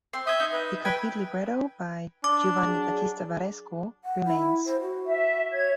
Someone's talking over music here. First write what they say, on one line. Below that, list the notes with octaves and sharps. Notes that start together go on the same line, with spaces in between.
The complete libretto by Giovanni Battista Varesco remains.
C4 C6
E5 G#5 D#6 G6
D#4
B4
B4 G5 G#5 B5
D4 D6
F#3 G#4
F#5
E4
C5
F#4
E5
C#5 G#6